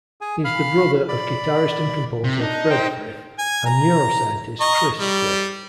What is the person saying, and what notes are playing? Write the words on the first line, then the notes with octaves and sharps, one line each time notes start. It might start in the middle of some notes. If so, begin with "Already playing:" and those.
He is the brother of guitarist and composer Fred Frith and neuroscientist Chris Frith.
G#4 G#5
F5 B5 F6
D5 B5
C3
D4 D#4
C5 G5
G#5
A#5
D#5 A#5 C#6
G3